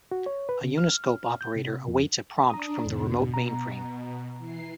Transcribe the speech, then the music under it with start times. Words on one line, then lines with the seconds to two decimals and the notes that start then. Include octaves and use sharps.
A Uniscope operator awaits a prompt from the remote mainframe.
0.11 F#4
0.26 C#5
0.49 B4
0.63 C#3
0.78 F6
1.41 G6
1.56 C3
1.88 F2
2.50 D4 A#5 D#6
2.85 E2 G#2 B2 D3
3.34 A#5
4.38 E3 C7